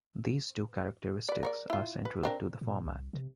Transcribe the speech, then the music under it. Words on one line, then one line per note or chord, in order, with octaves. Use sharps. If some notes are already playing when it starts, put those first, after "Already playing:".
These two characteristics are central to the format.
B4 D5
A#4 C#5 D5
E4 F4
B4
C4 D4 A#4
A#2
C2
C3